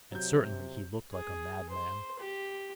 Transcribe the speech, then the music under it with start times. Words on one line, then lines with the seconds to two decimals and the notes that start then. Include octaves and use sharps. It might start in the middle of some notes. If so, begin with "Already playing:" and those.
And certainly he looked like a madman.
0.12 C3 F#3 G6
1.13 G#4
1.70 C5
2.20 G4